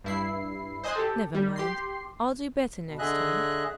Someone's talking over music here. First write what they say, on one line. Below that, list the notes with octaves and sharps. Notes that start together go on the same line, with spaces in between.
'Never mind; I'll do better next time.'
G2 E4 C7
C5 D#5 G#5 C6 D#6 F#6
G4 A4
G3
G4 C6 C7
B2
D3 G#4 D#5 E5 F#6